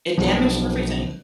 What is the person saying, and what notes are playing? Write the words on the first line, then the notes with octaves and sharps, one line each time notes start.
it damaged everything.
B1 F3